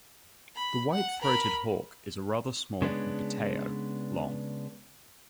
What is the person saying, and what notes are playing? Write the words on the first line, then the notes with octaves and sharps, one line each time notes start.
The white-throated hawk is a rather small "Buteo", long.
B5
F#5
A#4 B5
C#3 G#3 B3 D4